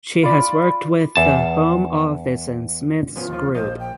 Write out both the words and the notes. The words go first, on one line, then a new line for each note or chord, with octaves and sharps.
She has worked with the Home Office and Smiths Group.
F4 D5 B5
E2 A5
F3 B3 C#4 F4
D#2 F3
A#1 C5 D#5 F5
G5